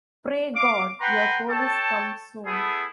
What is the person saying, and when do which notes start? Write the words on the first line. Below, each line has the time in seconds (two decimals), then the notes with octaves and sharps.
Pray God your police come soon.
0.55 F5 D6
1.01 B4 F#5 G5 A#5 C6
1.49 A4 C#5 G5 A5
2.46 A3 B3 E4 G#4